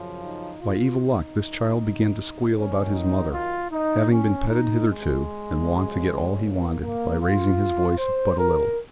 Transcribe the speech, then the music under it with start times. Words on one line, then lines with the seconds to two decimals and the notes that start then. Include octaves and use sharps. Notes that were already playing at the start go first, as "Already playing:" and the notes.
By evil luck, this child began to squeal about his mother, having been petted hitherto, and wont to get all he wanted, by raising his voice but a little.
Already playing: F#2 C#3 F3
0.21 D#4
0.60 F4
0.99 D#4
2.55 F#2 D#3 F#3 C#4
2.93 D#4
3.31 F4
3.71 D#4
4.10 C#4
4.48 D#4
4.87 G#3
5.65 F2 C#3 F#3
6.43 A#3
6.81 A#3
7.21 F4
7.98 C5
8.37 A#4